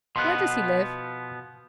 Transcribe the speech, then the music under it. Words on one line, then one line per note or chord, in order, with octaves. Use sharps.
Where does he live?'
B2 F3 B3 C6 F#6